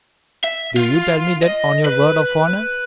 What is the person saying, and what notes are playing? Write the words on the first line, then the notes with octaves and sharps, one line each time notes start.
"Do you tell me that on your word of honor?"
E5
F4
D#5
B4